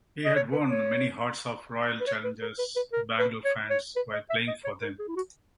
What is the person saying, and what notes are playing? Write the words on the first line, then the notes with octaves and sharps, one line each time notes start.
He had won many hearts of Royal Challengers Bangalore fans while playing for them.
D#5
C#5
B4
C#5
B4
C#5
B4
A#4
B4
B4
A#4
B4
C#5
C#5
B4
D#5
E5
D#5
C#5
A#4
G#4
E4
F#4